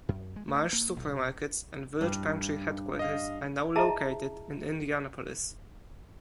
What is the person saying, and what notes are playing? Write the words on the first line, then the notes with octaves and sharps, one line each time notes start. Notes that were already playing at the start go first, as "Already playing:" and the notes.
Marsh Supermarkets and Village Pantry headquarters are now located in Indianapolis.
F#2
G#3
A3
A#3
B1
B2
G2
D#5 F5
E4 G#4 D#5 E5 A5 A#5